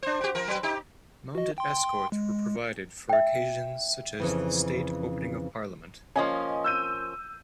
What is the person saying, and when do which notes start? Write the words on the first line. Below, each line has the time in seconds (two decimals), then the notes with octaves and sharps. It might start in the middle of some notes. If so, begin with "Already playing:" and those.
Mounted Escorts were provided for occasions such as the state opening of Parliament.
0.03 D4 C5
0.21 F#4 G4
0.35 F3 A#4
0.47 F#3 B4
0.63 D#4 G4
1.35 F#4 D#5
1.58 G5 C6
2.12 G#3
3.09 E5 G5
4.20 F2 C#3 E3
6.16 F3 A#3 C#4 D#5 G#5
6.64 E6 G6 D#7